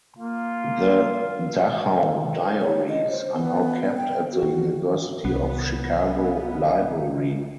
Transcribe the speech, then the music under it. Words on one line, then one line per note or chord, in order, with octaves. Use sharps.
The "Dachau Diaries" are now kept at the University of Chicago Library.
A#3 F4
C#5
D#5
C5
B3
B3
G5
F#4
C2 B3